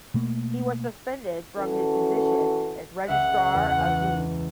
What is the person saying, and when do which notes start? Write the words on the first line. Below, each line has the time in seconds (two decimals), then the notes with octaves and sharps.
He was suspended from his position as Registrar of Deeds.
0.14 B2 A3 A#3
1.58 E3 C#4 F#4 A4
3.08 C#2 E5 F#5
3.54 E2